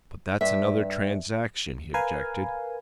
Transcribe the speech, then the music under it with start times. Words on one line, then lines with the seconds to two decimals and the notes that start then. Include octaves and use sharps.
"But that's another transaction," he objected.
0.41 G2 E5
1.94 A#4 B4 F5 G#5